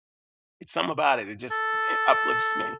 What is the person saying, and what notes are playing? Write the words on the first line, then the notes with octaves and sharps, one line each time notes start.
It's something about it, it just, eh, uplifts me.
A4